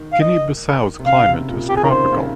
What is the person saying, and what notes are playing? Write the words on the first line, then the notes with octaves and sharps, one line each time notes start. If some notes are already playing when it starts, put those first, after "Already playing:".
Guinea-Bissau's climate is tropical.
Already playing: D#3
F5
D#5
C3
C#3 F5
C3
A#2
C3 G4
G#4
D#3 A#4
C#3 C5
C#3
C3